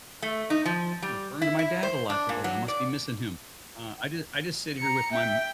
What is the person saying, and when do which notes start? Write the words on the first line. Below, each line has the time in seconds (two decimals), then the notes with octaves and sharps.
I'm referring to my dad a lot today, I must be missing him. Uh, I j I just sit here with my m
0.22 A3
0.50 D#4
0.65 F3
1.02 G3
1.42 E4
1.59 E4
1.83 C5
2.10 D4
2.29 A#2
2.44 F#3
2.68 D5
4.78 A#5 C#7
5.12 E5 G5